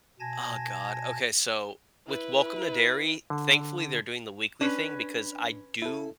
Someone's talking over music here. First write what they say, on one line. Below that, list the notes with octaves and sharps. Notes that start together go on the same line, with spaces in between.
Ah, god. Okay, so, with Welcome to Derry, thankfully, they’re doing the weekly thing because I do
B2 G#5 A5 G#6 A#6
E4 B4
D3
C#4 D4 B4
E4 A4